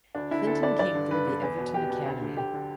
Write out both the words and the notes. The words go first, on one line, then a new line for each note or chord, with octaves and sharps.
Clinton came through the Everton academy.
D2 D4
D3 E4
D2 A4
D3 D5
G2 D5
D3
G2 B4
D3
E2
B2
E2 G4
B2
D2
D3
D2 G4
D3